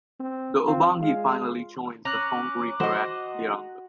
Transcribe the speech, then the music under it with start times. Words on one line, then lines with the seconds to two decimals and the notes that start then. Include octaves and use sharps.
The Ubangi finally joins the Congo River at Liranga.
0.20 C4
0.67 C4 F4
1.03 G#3 F5
2.05 C#4 A#5 D6 F#6
2.80 F#4 C5 D#5 F#5